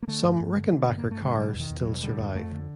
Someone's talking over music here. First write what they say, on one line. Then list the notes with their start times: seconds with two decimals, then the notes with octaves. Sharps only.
Some Rickenbacker cars still survive.
0.03 A#3
0.07 D3 A3
0.24 G2
0.41 G2
0.56 D3
0.73 D3
0.85 G2 B3
0.98 A#3
1.05 G2
1.11 A3
1.22 D3 G#3
1.37 B2 G3
1.55 E2 D#3
1.70 E2
1.81 F#3
1.87 B2
2.02 D3 G3
2.19 F2
2.35 F2 A3
2.52 D3